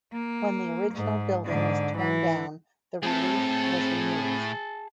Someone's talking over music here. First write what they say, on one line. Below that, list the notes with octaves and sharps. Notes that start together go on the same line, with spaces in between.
When the original building was torn down, the relief was removed.
A#3
G#2
G#2 D3
E3
A2 A3 C4 G#4 A5